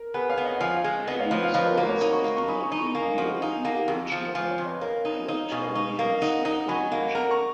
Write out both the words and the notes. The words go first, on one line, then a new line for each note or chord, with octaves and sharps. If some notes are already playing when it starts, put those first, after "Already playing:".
Peggy's answers do not reveal the original Hamiltonian cycle in "G".
Already playing: A#4
B3 G#4 B4
C#5 F5
B3
D#5 F#5
F3 F5 G#5
F5 G#5
G#3
B3 D#5 F#5
C#5 F5
F3 B4 D#5
C#5 F5
F3 B4 D#5
A#4 C#5
A#3 F#4 A#4
A#4 C#5
D#4 F#5 A#5
A#5 C#6
A#3
A#5 C#6
D#4 G#5 B5
A#5 C#6
D#4
A#5 C#6
A#3 F5 G#5
F3 D#5 F#5
D#4 F5 G#5
G#5
A#3 F#5 A#5
F2
F3
F3 F5 G#5
C#5 F5
F2
B4 D#5
A#3 A#4 C#5
D#4
D#4 C#5 F5
B2 F5 G#5
F5 G#5
D#4
A#3
F5
D#4 D#5 F#5
D#4 D#5 F#5
F#3 G#5 B5
A#3
A#4 F#5 A#5
A#5 C#6